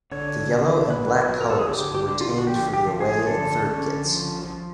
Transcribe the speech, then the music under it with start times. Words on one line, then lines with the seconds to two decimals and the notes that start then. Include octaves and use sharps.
The yellow and black colours were retained for the away and third kits.
0.12 D3 C#5
0.51 D3
0.90 F#3 B4
1.29 F#3
1.41 A#4
1.50 A4
1.59 G#4
1.69 D3 G4
1.95 G4
2.08 D3
2.21 F4
2.38 F#4
2.47 F3 G4
2.74 G4
2.87 F3
3.00 G#4
3.26 D3 A4
3.65 C#4
4.05 F3
4.44 F3